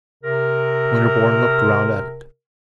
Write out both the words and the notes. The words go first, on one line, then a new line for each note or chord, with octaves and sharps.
Winterborne looked round at it.
C3 A#4